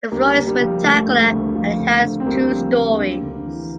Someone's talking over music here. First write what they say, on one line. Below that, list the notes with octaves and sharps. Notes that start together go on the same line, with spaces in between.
The floor is rectangular and it has two stories.
D2 G3 A#3
D2
G3 A#3
F3
D3 A3
D2
A3
D2
F3
D3
D2
C4
D2 G3 A#3
F3
D3
D2
D2
E3